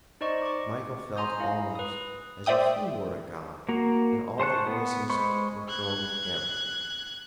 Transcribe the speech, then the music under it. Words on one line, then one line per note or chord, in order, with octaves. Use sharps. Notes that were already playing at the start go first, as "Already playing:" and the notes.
Michael felt almost as if he were a god, and all the voices were hurled at him.
D#4 C5 D5 D#5 C#6
C#6 D6
G#5 A#5 C6 D#6 G6
E4 F5
B4 D#6
C5 D5 E5 G5 D#6
A#3 F#4 A#5
C5 A5 C#6 F#6
B3
G#3 C5 B5 C#6
F#6 G#6